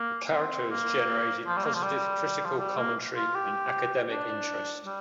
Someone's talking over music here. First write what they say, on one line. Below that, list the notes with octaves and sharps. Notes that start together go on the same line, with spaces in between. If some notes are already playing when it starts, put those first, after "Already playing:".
The character has generated positive critical commentary and academic interest.
Already playing: A#3
C4
A#3
F3
G3
A#3
F3
G3
F3
G3
A#3
F4
G4
D4
G3